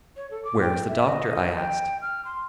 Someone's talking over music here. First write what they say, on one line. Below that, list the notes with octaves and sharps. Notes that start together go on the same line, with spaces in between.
"Where is the Doctor?" I asked.
C#5
A4
D6
G5
E5
D#5
G5
F6
C6